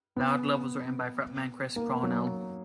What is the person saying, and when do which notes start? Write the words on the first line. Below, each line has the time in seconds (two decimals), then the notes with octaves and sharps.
"Loud Love" was written by frontman Chris Cornell.
0.16 B3
1.76 A#3
2.03 F#3